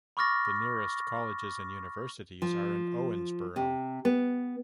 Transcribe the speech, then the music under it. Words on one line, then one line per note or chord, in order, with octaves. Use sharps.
The nearest colleges and universities are in Owensboro.
B5 C#6 D6 F6 A6 A#6
F3
C3
B3